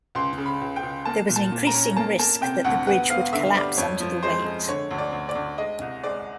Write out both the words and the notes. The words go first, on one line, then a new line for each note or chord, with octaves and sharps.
There was an increasing risk that the bridge would collapse under the weight.
C#2 C6
C#3
B5
C#2
G5
C#2
A#3 A5
A#2
A5
A#2
A#5
C#4
A#3 A5
A#3 A5
C3 G5
D2 F#5
B3 F#5
B3 F5
D3 E5
G3 D5
F2 C#5
F3
G#3 C5
G#3
D3 C#5
D2
D5
D2
D5
D2
G#3 D#5
C2
G#3 D5